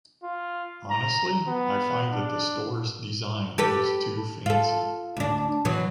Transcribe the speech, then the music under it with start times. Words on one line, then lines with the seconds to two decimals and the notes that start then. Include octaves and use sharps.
Honestly, I find that the store’s design is too fancy.
0.24 F4
0.90 A#5
1.48 B3
2.12 D4
3.58 G4 A4 B4
4.46 F4 A4
5.17 D2 D4
5.65 B2 E3 F#3